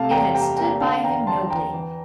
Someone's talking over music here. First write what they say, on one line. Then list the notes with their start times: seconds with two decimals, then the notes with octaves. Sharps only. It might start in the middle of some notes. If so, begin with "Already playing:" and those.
It had stood by him nobly.
Already playing: C3 A3 F5 A5
0.11 E2 G5 A#5
0.34 G3 G5 A#5
0.57 A#3 G5 A#5
0.81 D3 F5 A5
1.04 E2 G5 A#5
1.27 F3 A5 C6
1.50 E2 G5 A#5
1.73 E3